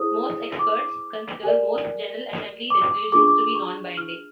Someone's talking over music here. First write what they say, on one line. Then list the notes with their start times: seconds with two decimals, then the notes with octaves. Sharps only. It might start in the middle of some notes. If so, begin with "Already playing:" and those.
Most experts consider most General Assembly resolutions to be non-binding.
Already playing: E4 G#4 C5 D#6
0.59 D6
1.43 G4 A#4 D5 G#5
2.70 D6
3.12 D4 F4 G#4 D6
3.20 C#6
3.28 D6
3.55 C#6
3.97 F6